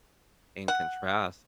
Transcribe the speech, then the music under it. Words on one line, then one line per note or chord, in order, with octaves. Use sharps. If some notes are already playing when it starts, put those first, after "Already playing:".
and contrast,
F#5